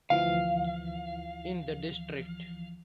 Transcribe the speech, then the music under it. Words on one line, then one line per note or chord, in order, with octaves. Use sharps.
In the district.
D2 E3 F3 F5